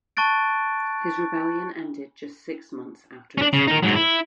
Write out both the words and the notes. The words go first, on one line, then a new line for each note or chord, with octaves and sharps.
His rebellion ended just six months after it started.
A5 C#6 F#6 A6 D7
C#4 D4
C#3
D#4 A#4
G#2 F#3
E4